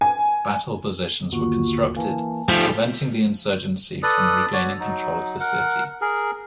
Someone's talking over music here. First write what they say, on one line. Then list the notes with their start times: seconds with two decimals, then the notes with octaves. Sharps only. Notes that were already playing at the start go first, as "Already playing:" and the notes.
Battle positions were constructed, preventing the insurgency from regaining control of the city.
0.01 G#5
1.32 G1 D#2 A#3 F4 F#4 C#6
1.96 E3 A#3 G#5 A5
2.49 F3 G3 A3 D#4 A4 G#5
4.03 A4 B4 D5 D#6
4.52 F#4 C#5 D5
4.80 F#3 D#4
5.40 A#4 F#5
6.01 G#4 A#4